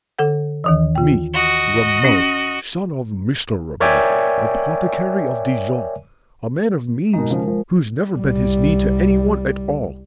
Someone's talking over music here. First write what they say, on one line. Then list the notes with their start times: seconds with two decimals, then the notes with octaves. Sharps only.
Me, Rameau, son of Mr. Rameau, apothecary of Dijon, a man of means, who's never bent his knee to anyone at all!
0.19 D3 A4 F#5
0.64 D#2 D#3 E3
0.95 F4 G5
1.33 F#4 D#5
2.04 C#4
3.80 A#4 C#5 D5 E5 G5 G#5
7.13 B2 G#3 D#4 A#4
7.30 C#3 F3
7.47 F3
8.17 C2 G3